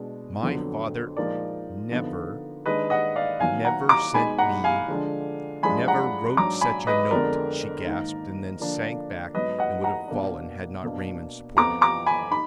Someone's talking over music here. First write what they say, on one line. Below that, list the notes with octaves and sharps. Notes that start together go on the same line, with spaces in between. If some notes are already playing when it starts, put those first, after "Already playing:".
"My father--never--never sent me--never wrote such a note--" she gasped, and then sank back and would have fallen had not Raymond supported her.
Already playing: B2 G#3 D4
F2 D3 F#3 B3
A#2 F3 G#3 D#4 A#4 D5
D3 F3 B3 D#4
D#3 G#3 D4 B4 D#5
D#5 F#5
D5 F5
D#3 F#3 B3 F5 G#5
F#5 A#5
A#5 D6
B2 G#3 D#4 G#5 B5
F#5 A#5
F5 G#5
D3 F3 G#3 D4
F#2 F3 G#3 D4 G#5 B5
F#5 A#5
G#2 F#3 D4 A#5 D6
G#5 B5
B4 D#5
F2 D3 G#3 B3 A#4 D5
G#2 D#3 A#3 D#4
D3 F3 A#3 D4
G#2 F#3 B3 B4 D#5
D#5 F#5
F#5 A#5
B2 A#3 D4
B2 A#3 D4
F2 F3 B3 A#5 D6
A#5 D6
G#5 B5
D#4 B5